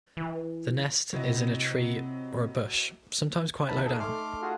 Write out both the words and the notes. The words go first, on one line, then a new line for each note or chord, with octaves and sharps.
The nest is in a tree or a bush, sometimes quite low down.
E3
C3 F#3 E4 D#5
D#2 D#4 A5 B5
G#4 A4
A3 C6 D6 F6
F4 F#4 G#4